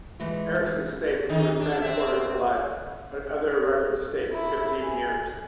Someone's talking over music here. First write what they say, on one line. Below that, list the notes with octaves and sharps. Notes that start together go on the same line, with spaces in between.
Erickson states that he was transported for life, but other records state fifteen years.
E3 G#3 A3
D#3 D#4
D4
C4 E5
E4
G#5